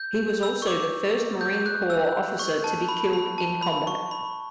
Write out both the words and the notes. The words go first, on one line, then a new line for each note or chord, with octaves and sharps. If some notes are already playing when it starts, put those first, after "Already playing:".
He was also the first Marine Corps officer to be killed in combat.
Already playing: G6
E6
C#6
D6
G6
F#6
E6
C#6
A5
B5
B5
A5
B5
C#6
B5